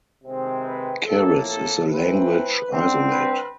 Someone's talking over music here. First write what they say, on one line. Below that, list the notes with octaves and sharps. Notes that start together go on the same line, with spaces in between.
Keres is a language isolate.
C3 D#3 G#3 C4
B4
A2 F3 A#3 A4
A4
E3 A3 C4 B4
D3 G3 C4
B4